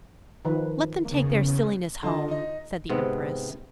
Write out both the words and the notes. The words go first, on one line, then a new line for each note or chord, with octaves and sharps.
'Let them take their silliness home,' said the empress.
D#3 F3 B4
E2 C#3 A#3
D3 F4 D#5 A5 C6
D#4 D#5
G#2 C3 B3 C4